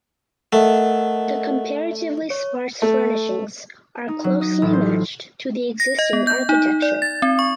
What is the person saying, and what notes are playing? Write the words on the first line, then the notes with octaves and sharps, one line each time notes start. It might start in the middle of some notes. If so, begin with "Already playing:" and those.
The comparatively sparse furnishings are closely matched to the existing architecture.
A3 A#4 D#5 F#5
C#5
A3
D#4
F#3
D#5
A1
C5
F4
A#6
D#5
B3
G6
D#4
D5
A6
C4
C#6